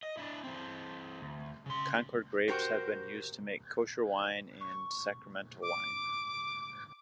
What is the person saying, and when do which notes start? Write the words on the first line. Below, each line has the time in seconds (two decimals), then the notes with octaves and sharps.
Concord grapes have been used to make Kosher wine and sacramental wine.
0.03 D#5
0.17 D4 E4
0.44 E3 C4
1.21 D2
1.66 C#3 C6
2.48 F#4 G4 A#4 C5
4.61 C#6
5.62 D6